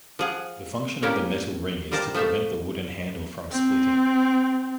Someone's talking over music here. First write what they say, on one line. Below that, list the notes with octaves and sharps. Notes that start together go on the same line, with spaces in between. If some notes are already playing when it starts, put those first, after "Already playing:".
The function of the metal ring is to prevent the wooden handle from splitting.
F3 G#4 F#5
A#3 C#4 E4 G4 A#4 C#5
G3 F4 A#4 C5 A5 A#5
F3 A3 C5 C#5 E5
C4